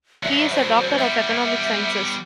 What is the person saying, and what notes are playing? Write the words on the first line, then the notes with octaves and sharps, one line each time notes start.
He is a doctor of economic sciences.
G2 F#3 E5
C5
G3 B3 E5